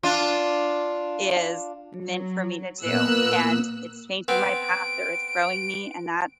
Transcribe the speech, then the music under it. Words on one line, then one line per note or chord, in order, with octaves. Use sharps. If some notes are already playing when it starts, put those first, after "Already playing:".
is meant for me to do, and it's changing my path or it's growing me, and that's
D4 F4
F#3
A#2 A#3 B3 E6 F#6
B3 C4 D7